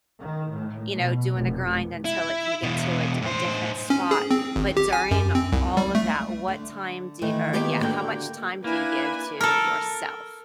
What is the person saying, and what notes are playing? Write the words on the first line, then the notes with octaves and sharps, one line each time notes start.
you know, doing the grind until it can get to a d a different spot, but during all of that, what time do or, yeah, how much time do you give to yourself?
D#3
A2
B2
F1
E4
E2 B2
A2 C5
C#4
G#4
C4
G#1
G4
G#5
F#2
C4
C2
G3
A3
D3
D#3 E3 A3
D#3 A#3 B3 G4 G#4 B4
D3 A#3 F#4 G5
A#3 D4 E4 B4 G#5
A4 A#4